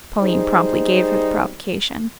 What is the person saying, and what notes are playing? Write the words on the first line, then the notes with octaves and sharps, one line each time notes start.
Pauline promptly gave her the provocation.
G3 D#4 G#4 C5